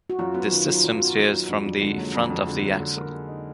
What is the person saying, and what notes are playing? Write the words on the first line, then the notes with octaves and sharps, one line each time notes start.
This system steers from the front of the axle.
F#4
F#2 F4
B3 F#4
D#3 F4
F#3 F4
F#2 F4
B3 F#4
D#3
F#3 D#4
F2 D4
F2 D#4
D3 G#3
F#3 A#3
F2
F2
D3
F#3
D3
A#4
G#3
D#4